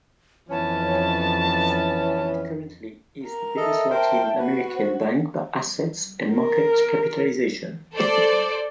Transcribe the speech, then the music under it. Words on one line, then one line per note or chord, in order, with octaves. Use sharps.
It currently is the biggest Latin American bank by assets and market capitalization.
F2 E3 B3 C#4 A5
A#4 A#5
A4 D#5 E5
A#4 C5 G5 A5
F#4 B4
C5
A#4
A4 C5 D5